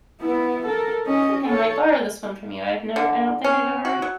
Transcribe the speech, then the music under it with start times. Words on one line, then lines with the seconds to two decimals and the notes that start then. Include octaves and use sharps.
I think I might borrow this one from you. I've never I don't think I've ever heard
0.21 B3 E4
0.67 A4 A#4
1.07 C#4 D#5
1.46 A4 C#5
2.96 D3
3.44 C#4
3.85 F#4
4.02 F#3